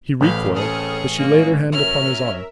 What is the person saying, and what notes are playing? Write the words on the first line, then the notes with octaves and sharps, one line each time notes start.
He recoiled, but she laid her hand upon his arm.
A1 C#3 C4 C#4 F5 B5
G#4 A4 C#6 D#6 F6
G#3 A#3 C#4
F#3 C#4 A#4 E5 F6